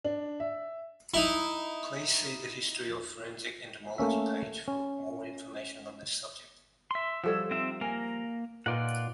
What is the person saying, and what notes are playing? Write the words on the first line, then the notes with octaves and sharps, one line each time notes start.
Please see the History of forensic entomology page for more information on this subject.
D4
E5
D#4 E4
A3 A#3 C#4 E5
C#4
E5 C6
F3 G3 F#4 A4 C#5 E6
C4 D#4 F4 E5
A#3 A#4 G#5
A#2 D#4 F4 B4 D5 F5 F#5